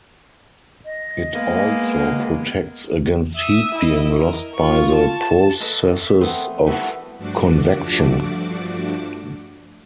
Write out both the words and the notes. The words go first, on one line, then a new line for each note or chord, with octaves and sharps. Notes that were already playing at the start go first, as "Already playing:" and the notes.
It also protects against heat being lost by the processes of convection.
D#5
G#3 A#3 B3
E5 D#6
E4 D#5
A#4
F4 C#6
A5
A4 B4 D#5 E5 A5 A#5
E5
A3 B3 C4
G3 B3 E4 F#4 A4 B4
G2 F3 A3 D4 F#4 D6